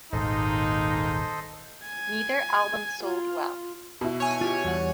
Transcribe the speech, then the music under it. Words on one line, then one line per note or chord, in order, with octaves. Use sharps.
Neither album sold well.
D#1 G#1 G#3 A#3 D#4 A4 C5 D#5
G#5
F4
B2 E4
C#5 G#5
F4 G4
E2 G3 F#5